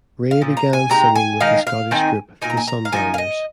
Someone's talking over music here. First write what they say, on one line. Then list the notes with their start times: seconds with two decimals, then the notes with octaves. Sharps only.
Ray began singing with the Scottish Group the Sundowners.
0.31 F5
0.41 A#2 F3
0.57 A#5
0.73 G#5
0.90 C3 G#3 D#4 A#5
1.15 G#5
1.40 D#3 G#3 D#4 F5
1.67 F5
1.91 D#3 C4 D#4 G#5
2.42 A#2 A#3 D#4 G#5
2.50 A#5
2.57 G#5
2.68 A#5
2.85 F5
2.93 F3 A#3 D#4 G#5
3.14 F5
3.18 D#5